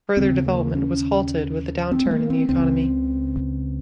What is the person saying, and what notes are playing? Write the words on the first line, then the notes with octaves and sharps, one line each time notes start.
Further development was halted with the downturn in the economy.
D#2 C#3 C4
A#3
C#4
C4
G#3
A#3
C4
C#2 C#3 C4